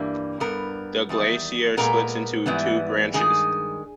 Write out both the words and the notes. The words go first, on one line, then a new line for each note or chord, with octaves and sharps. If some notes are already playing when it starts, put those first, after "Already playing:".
The glacier splits into two branches.
Already playing: G2 E3 G3 A#3
G2 G3 B3 A#4
E2 D#3 G3
A#2 G#3 B3 A#4
G#2 E3 G3 B3
G2 D#3 G#3 G#4